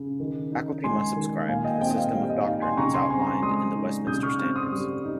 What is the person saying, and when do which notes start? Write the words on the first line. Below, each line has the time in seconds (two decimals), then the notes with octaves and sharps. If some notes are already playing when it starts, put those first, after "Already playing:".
Faculty must subscribe to the system of doctrine as outlined in the Westminster Standards.
Already playing: C#3
0.20 D#3
0.52 D#4
0.84 G#3 G#5 C6
1.16 D#3
1.48 A#2 F5 G#5
1.65 D#5 G5
1.80 C4 D#5 G5
1.90 D#5
1.97 F5
2.13 G3 F5
2.29 D#5
2.45 D#4 F5
2.61 G#5 C6
2.77 C#3 A#5 C#6
2.94 G#5 C6
3.10 C4 G#5 C6
3.20 A#5
3.26 G#5 C6
3.42 G#3 C6 D#6
3.74 D#4
4.07 C#3 D#6 G6
4.23 C#6 F6
4.39 C4 C#6 F6
4.56 C6 D#6
4.72 G3
5.04 D#4